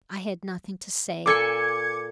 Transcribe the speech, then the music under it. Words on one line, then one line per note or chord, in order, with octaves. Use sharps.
I had nothing to say.
A#2 A4 G#5 D6 G#6 C#7